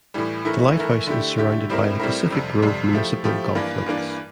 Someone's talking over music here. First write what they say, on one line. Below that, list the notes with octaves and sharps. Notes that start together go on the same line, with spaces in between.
The lighthouse is surrounded by the Pacific Grove Municipal Golf Links.
A2 E3 G3
E3 A3 E4 A#4
E3 A3 E4 A#4
D3 A3 E4 G4
D3 A3 E4 G4
A2 G3 C4 E4 A#4
A2 G3 C4 E4 A#4
F2 C3 G3
F2 C3 G3
F3 A3 E4 G4
F3 A3 E4 G4
G2 E3 A#3 D4
G2 E3 A#3 D4